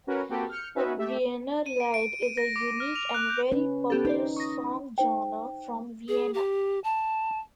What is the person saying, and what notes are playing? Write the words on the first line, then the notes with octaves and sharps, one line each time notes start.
The Wienerlied is a unique and very popular song genre from Vienna.
C#4 F#4 A#4 B4
A#3 C4 F#4 G4 A4 B4
F6 G6 C#7
C#4 D#4 F#4 B4 E5
A3 G4 E5
D#7
D7
D7
D#7
A#6
D6
F6
F7
F#6
G6
C#4 B4
B3 G4 A4
D#4 G4 C5 D5
C#6 D#6 A#6
D#4 C5 G5
G#4
G4
A5